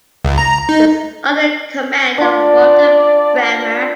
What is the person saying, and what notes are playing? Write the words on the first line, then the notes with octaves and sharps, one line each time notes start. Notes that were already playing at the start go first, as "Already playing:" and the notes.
It was under the command of Walter Brehmer.
C#2
A#5
D#4
D4 F4 D5